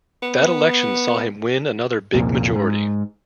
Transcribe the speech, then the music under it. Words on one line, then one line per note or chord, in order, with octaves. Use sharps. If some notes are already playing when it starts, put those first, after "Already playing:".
That election saw him win another big majority.
B3
C2 F2 A#2
G#2